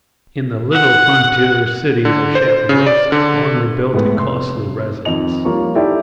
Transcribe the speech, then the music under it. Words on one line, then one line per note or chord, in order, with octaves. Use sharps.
In the little frontier city of Chaparosa, Longley built a costly residence.
F#5
D3
C5
C#3
D5
D3
A2 G#3 A3 B3
F1 C6
F2 D#3 D#5 F7
F3 G3 A#3 F4 C#5 C#6
D#4 E4 G4 A4 D5 E5